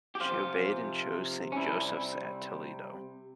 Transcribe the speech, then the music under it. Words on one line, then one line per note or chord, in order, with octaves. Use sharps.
She obeyed and chose Saint Joseph's at Toledo.
G4
C3 F3 F4
C#4
C3 G3 E4